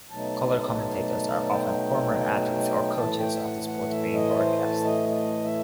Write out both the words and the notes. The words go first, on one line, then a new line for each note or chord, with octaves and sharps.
Color commentators are often former athletes or coaches of the sport being broadcast.
B2 F#3 A3 D#4 A5
G5
A2 E3 A3 A5
G5
E5
F#5
F#5
E5
D#5
C5
A5
D#5
D#5
E5